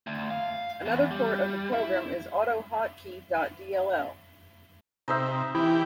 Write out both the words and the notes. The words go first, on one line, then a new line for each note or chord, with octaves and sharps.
Another port of the program is AutoHotkey dot dll.
D2
F5
E2
G3
E4
C3 D#4 C5 E5
E3 E4 G4